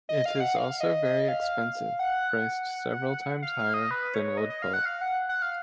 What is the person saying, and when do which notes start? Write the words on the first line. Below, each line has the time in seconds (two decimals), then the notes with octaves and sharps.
It is also very expensive, priced several times higher than woodpulp.
0.09 D#5
0.26 F5
0.40 F#5
0.56 F5
0.81 D#5
1.05 D#5
1.28 F5
1.99 F#5
3.42 F5
3.59 F5
3.74 D#5
3.91 B4
4.14 C#5
4.37 D#5
4.50 D#5
4.62 F5
4.73 F#5
4.85 F5
5.01 F#5
5.29 F#5
5.42 F5